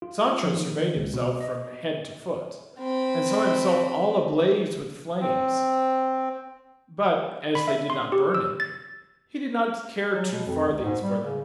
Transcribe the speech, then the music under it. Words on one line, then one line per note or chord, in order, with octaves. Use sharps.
Sancho surveyed himself from head to foot and saw himself all ablaze with flames; but as they did not burn him, he did not care two farthings for them.
F4
F3
D#3
C#2
B2
D#5
C4 B5
C4
B5
E5
C6
G4
E6
A6
F#3
B2
F2
C#2
G#2
G3
C#3